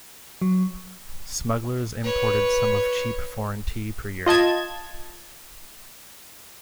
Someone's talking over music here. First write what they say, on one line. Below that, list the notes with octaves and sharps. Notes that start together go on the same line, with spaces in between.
Smugglers imported some of cheap foreign tea per year.
F#3
B4 C#5
F4 D#5 A5 G#6